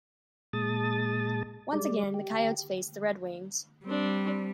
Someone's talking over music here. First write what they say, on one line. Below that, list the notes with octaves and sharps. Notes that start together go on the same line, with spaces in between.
Once again, the Coyotes faced the Red Wings.
A#2 G#3 A5 D#6 A6
G3 G#3 D5
G4
G3 C4 D4